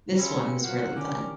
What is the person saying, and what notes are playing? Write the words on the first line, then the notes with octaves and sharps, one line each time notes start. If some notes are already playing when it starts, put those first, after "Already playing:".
This one was really fun.
G3 G#3 C4 C#4 F4
F3 F#3 A#3 F#5
C#4 D4 G4 A#4